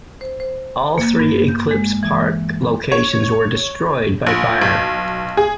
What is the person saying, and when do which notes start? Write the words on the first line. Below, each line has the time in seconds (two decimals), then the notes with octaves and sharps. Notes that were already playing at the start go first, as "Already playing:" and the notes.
All three Eclipse Park locations were destroyed by fire.
0.21 C5
0.40 C5
0.98 A#3
1.20 G2
1.48 G6
1.71 G#3
2.03 E3
2.92 C#5
4.27 A#1
4.62 B1
5.37 G#4